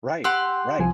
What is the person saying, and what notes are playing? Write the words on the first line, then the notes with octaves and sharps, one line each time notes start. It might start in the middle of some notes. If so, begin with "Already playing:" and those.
Right, right.
G4 F#5 C6 E6
C2 F3 G#5